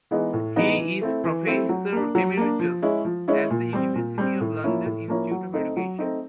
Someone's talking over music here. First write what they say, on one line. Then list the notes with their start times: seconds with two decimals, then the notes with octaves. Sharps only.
He is Professor Emeritus at the University of London Institute of Education.
0.11 E3 G#3 B3 D#4
0.33 A2
0.56 E3 G#3 B3 D#4
0.78 E3
1.02 A3 C4 E4
1.24 E3
1.46 A3 C4 E4
1.69 F#3
1.92 A#3 D4
2.15 F#3
2.37 A#3 D4
2.60 F3
2.82 G#3 C#4 E4
3.05 F3
3.28 G#3 C#4 E4
3.50 A#2
3.73 G3 C4
3.95 A#2
4.18 G3 C4
4.41 A2
4.63 F3 A#3 C#4 E4
4.86 A2
5.08 F3 A#3 C#4 E4
5.31 F#3
5.54 A3 C4 D#4
5.77 F#3
5.99 A3 C4 D#4